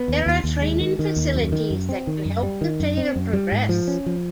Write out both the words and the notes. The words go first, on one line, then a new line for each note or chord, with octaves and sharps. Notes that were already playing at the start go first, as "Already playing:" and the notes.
There are training facilities that can help the player progress.
Already playing: B3
D#2
D#2
D#2
G#3
D#3
D#3
D#2
F#2
D#3
F#2
C4
D#3
F#2
G3
D#3
F#2
C4
F#2
G3
G#2
F3
C#4
F3